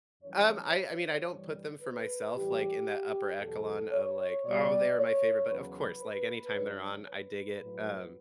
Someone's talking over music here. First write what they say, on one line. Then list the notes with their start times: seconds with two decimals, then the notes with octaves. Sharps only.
Um, I I mean, I don't put them for myself, like, in that upper echelon of like, "Oh, they're my favorite," but of course, like, anytime they're on, I dig it, um
0.23 F#2 E3 G3 C#5
1.29 G2 E3 G3
1.81 B4
2.33 A2 E3 G3 G4
3.39 E2 B2 F#3 A4
3.91 C#5
4.44 B2 G3 D5
4.98 C#5
5.49 E2 C#3 F#3 B4
6.02 B4
6.55 G2 D3 F#3 C#5
7.08 B4
7.61 A2 F#3